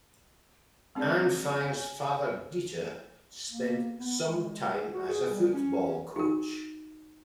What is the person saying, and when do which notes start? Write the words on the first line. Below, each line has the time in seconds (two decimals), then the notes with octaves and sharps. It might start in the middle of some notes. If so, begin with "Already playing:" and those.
Anfang's father Dieter spent some time as a football coach.
0.95 G#3 C4 D4 G#4 D5 A5
1.61 C#5 G#5
3.50 A#3
3.97 B3
4.25 G#3
4.92 F#4
5.08 G#4
5.30 G3
5.53 C#4
6.16 D#4 F#4